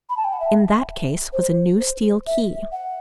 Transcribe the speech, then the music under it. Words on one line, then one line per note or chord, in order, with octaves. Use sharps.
In that case was a new steel key.
B5
A5
G5
F#5
E5
C5
C5
E5
F#5